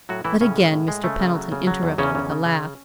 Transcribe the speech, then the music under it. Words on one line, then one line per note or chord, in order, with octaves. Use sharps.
But again Mr. Pendleton interrupted with a laugh.
A2 F#3 F#4
A2 E3 E4
A2 C#3 C#4
G#3
A2
G#3
C#3 A3
C#3
F#3
C#3
F#3
E2
E2 C#3 C#4
C#3
C#3
C#3